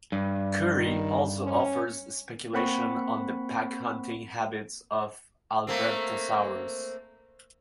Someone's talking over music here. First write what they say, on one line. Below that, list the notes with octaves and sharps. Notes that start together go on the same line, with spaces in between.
Currie also offers speculation on the pack-hunting habits of "Albertosaurus".
G2
D#3
C#4
A#3 C4 F#5 B5 C#6
A3 A#3 C4